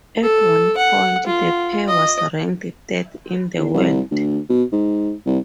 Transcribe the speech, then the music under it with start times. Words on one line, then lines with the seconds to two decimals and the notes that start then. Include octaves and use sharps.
At one point, the pair was ranked third in the world.
0.22 A4
0.77 F#5
1.27 F4
1.88 D#5
3.58 E2
3.74 C2
4.11 D2
4.49 B2
4.72 G#2
5.26 C2